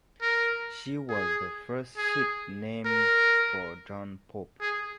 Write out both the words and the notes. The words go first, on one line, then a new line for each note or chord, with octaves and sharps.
She was the first ship named for John Pope.
A#4
G#4
G#4
A#4
G#4